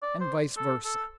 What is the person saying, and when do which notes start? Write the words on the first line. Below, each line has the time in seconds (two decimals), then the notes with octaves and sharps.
And vice versa.
0.03 D5
0.21 C5
0.57 A4
0.85 A4